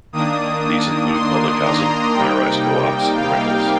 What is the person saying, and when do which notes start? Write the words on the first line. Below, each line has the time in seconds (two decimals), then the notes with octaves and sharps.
These include public housing, high-rise co-ops and rentals.
0.13 D#3 A#3 D4 D#6
1.13 C6
1.64 A#5
2.14 C3 G3 A#3 D#4 G5
3.16 F5